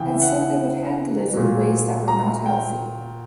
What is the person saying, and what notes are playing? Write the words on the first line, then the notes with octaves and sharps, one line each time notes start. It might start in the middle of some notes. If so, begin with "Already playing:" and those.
And so they would handle it in ways that were not healthy.
Already playing: C#3 E3 G5
E5
F#5
A#2 F#3
A#5
G5